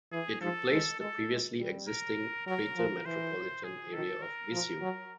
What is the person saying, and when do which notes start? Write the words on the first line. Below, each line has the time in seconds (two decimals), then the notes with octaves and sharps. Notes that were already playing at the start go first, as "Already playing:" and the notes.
It replaced the previously existing "Greater Metropolitan Area of Viseu".
0.12 E3 G#4
0.41 F3 A4
0.71 G#3
1.00 G#3 A4
1.30 G#3
1.59 G3
1.88 A#4
2.47 F#3 A#4
2.76 F3
3.05 E3 C5
3.64 G#4
3.93 D#3 A4
4.22 A#4
4.52 F3
4.81 F#3